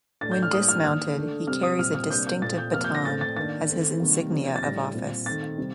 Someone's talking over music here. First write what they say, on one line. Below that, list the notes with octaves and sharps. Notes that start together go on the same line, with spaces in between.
When dismounted he carries a distinctive baton as his insignia of office.
A2 A3 D4 A6
G6
F6
A2 G3 A#3 D4 D#6
F6
D#3 A#3 D4 F6
D3 A3 D4
C3 G3 C4 F6
D#6
A#2 G3 C4 F6
F6
C3 G3 A#3 D4 G6
G6
A#2 A3 C4 A6
G6
C3 F3 A#3 F6
G6
A#6
A2 A3 C4 A6
A6
D#3 A#3 D4 A6
D#3 A3 C4
C3 D#3 G3 A#3
C3 F3 A#3 D4
A6
A2 G3 D4 A#6
A#2 G3 C4
D#3 A3 C4 A6
C3 G3